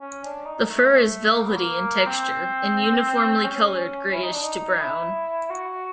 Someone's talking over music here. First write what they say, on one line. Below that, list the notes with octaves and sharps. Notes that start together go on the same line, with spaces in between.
The fur is velvety in texture, and uniformly colored greyish to brown.
C#4
D4
D#4
A3
A#3
B3
A#3
C4
C#4
E4
D#4
D4
D#4
E4
F#4